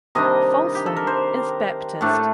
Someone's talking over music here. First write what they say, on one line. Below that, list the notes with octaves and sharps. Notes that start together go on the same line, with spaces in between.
Folsom is Baptist.
C3 D#3 G3 D4 D#5
G4
A4
A#4
C5
A2 A3 D4